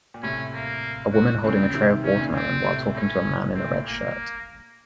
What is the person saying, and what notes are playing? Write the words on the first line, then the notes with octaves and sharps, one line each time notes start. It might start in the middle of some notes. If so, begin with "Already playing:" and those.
A woman holding a tray of watermelon while talking to a man in a red shirt.
A#2
A2 C3 C#4
A#3
F#4
A#2 C#3 C4
C3 D#3
C3 D#3 C#4
A#2 C#3
A#2 C4
A2 C3
A2 C#4
C3 C4
A#2
A2
A#2 A#3